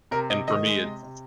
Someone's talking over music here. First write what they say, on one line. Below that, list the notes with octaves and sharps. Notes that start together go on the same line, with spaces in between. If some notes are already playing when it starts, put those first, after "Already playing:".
And for me, it's
C3 A#4
C3 D#5
D#3 D#5
G#3
C3
C3